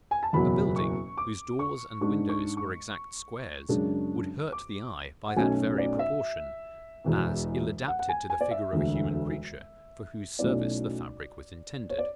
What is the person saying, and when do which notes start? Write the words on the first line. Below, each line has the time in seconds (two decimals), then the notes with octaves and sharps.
A building, whose doors and windows were exact squares, would hurt the eye by that very proportion; as ill adapted to the figure of a human creature, for whose service the fabric was intended.
0.11 G#5
0.23 A5
0.33 F#1 E2 B2 F#3 B5
0.76 C#6
1.17 D6
1.59 C#6
2.01 G#2 G#3 D4 C#6
2.29 C#6
2.57 C#6
3.69 F#2 C#3 G#3 D4
4.52 D6
5.28 F#5
5.37 B1 B2 A3 C#4 G#5
5.78 D5
5.99 E5
7.04 E1 E2 B2
7.88 F#5
7.99 F#5
8.09 G#5
8.30 G#5
8.41 D5
8.51 E5
8.72 E1 D2 D3
10.39 B1 B2 A3 C#4 E4 D5
11.90 C#5
11.98 D5